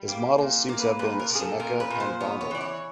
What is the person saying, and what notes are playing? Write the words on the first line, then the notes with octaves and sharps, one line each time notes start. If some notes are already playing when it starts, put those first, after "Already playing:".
His models seem to have been Seneca and Vondel.
Already playing: G3
A#3 G4
A#2
A#3
B4
A#2 B4
A#4
A#2
G#4
A4
A#2 A#4
B4
A#2
C5
B3 C#5
C#5
E3 D5
C#5